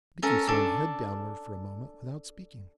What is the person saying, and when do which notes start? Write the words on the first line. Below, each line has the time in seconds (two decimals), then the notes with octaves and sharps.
Binkie swung head downward for a moment without speaking.
0.22 C#4 A4 A#4
0.47 D4 A4